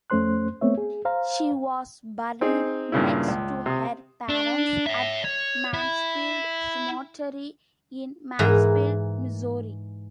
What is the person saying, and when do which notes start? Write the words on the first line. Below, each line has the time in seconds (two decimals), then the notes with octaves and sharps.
She was buried next to her parents at Mansfield Cemetery in Mansfield, Missouri.
0.10 F2 A3 C#4 C5 C6 F#6
0.61 A3 B3 C4 C#5 E5
0.78 G#4
1.05 C5 F5 A#5
2.41 C4 D#4 G#4
2.92 G2 A#2 C#3 E4
3.28 C#2
3.66 C3 D#6
4.29 D4
4.87 C#5 E5
5.24 C#5
5.74 E4
8.39 G#2 E3 A#4 A#5